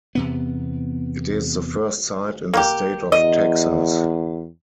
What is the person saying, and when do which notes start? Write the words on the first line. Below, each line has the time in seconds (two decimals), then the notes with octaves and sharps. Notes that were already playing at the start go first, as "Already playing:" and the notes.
It is the first site in the state of Texas.
0.15 E2 C3 B3
2.54 A#3 G4
3.12 E2 D#5